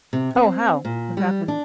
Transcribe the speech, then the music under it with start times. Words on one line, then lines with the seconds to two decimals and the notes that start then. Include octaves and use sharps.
Oh, how? What happened?
0.13 C3
0.35 C4
0.85 A#2
1.17 G3
1.48 D4